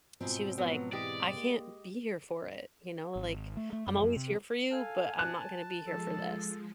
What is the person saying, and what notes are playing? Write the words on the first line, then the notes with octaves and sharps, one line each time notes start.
she was like, "I can't be here for it." You know, like, "I'm always here for you, but I'm not gonna be here for this."
G#2 B2 C4 F4
F3 F#3 B3
E3 G#3 G4 D5
A#3
G#1
A3
A3
F#2
C3
A4 F5 G#5
A5 F#6
F3 G#3 A4